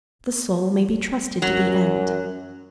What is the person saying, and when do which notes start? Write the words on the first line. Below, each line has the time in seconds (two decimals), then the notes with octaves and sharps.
The soul may be trusted to the end.
1.42 F#2 F#3